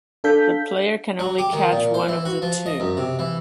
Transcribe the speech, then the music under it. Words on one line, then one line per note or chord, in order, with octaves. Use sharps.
The player can only catch one of the two.
D4 A4 F5 G6 B6
F#3
G4
D#3
A#2
C5
E3
F#4
F3
D#5
F#2
C3
E3